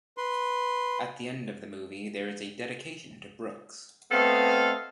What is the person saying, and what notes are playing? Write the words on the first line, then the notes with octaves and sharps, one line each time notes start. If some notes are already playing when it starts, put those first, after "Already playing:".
At the end of the movie there is a dedication to Brooks.
B4 C6
A3 B3 C4 A4 D#5 F5